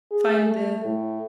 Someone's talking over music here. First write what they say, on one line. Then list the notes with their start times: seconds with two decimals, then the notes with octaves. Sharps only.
find the
0.12 G#4
0.46 A3
0.85 A2